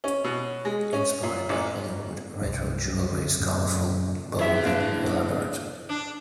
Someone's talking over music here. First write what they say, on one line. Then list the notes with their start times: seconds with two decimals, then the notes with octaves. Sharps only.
Inspired by Hollywood, Retro jewelry is colorful, bold and elaborate.
0.04 C#4
0.24 B2
0.65 G#3
0.93 C#4
1.23 A#2
1.49 A1
2.41 C2 G2 F3
3.11 D3
3.40 F#2 A#2 C#3
4.39 E2 C#5 E5
4.65 A#3 D4
5.89 D4